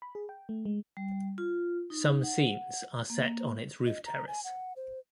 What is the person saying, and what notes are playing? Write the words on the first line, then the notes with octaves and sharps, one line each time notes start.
Some scenes are set on its roof terrace.
B5
G#4
G5
A3
G#3
G3
F4
D#4
F#5
A#3
D#5
A#5
G#5
F#5
C5